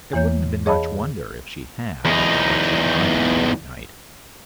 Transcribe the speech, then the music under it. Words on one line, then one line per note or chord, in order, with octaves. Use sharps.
It wouldn't have been much wonder if she had after what she'd gone through that night.
E2 E3 A#3 C#5 G6
G#4 C#5 D#5 F5 A5 B5
E2 D#4